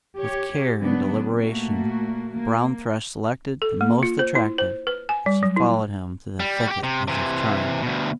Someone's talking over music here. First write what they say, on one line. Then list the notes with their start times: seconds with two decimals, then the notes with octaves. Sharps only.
With care and deliberation the brown thrush selected the most attractive, and she followed him to the thicket as if charmed.
0.18 G4 C#5
0.78 C#3 F#3 A#3 B3 D4
1.36 A#2 A3 A#3 F#4
2.35 A#3
3.62 A4
3.81 A#3
4.03 F4
4.19 C5
4.35 E4
4.58 C5
4.87 B4
5.09 G#5
5.26 G3
5.43 F#3
5.56 E4
6.40 G3
6.67 F#4 G4
6.84 C3
7.08 C3 E3
7.82 D2 B2